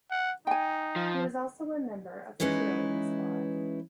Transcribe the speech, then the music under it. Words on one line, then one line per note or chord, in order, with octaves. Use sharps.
He was also a member of the cheerleading squad.
F#5
D#4 G5 G#5
F3
E3 G#3 C#4 D#4 E4 B4